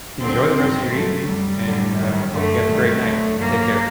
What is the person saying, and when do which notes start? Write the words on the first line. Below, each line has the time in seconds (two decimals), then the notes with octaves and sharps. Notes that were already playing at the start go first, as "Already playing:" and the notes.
enjoy the rest of your evening and, uh, hope you have a great night. Take care.
0.19 D2 D3 F#3 C4
0.54 G2 D#3 F#3
0.89 G2 F#3 A3
1.25 F#2 F#3 G3
1.60 F#2 D3 F#3
1.96 G2 D#3 F#3
2.31 F#2 D3 F#3 A3
2.66 G2 D#3 F#3
3.01 D2 D3 F#3
3.37 G2 D#3 F#3 A#3